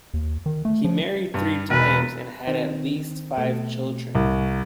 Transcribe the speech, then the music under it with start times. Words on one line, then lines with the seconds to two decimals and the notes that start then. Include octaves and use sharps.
He married three times and had at least five children.
0.14 D#2
0.46 D#3
0.65 A3
0.84 F3
1.34 G2
1.70 E1 B4
2.47 D#3 C4
3.38 B2 A3
4.15 C2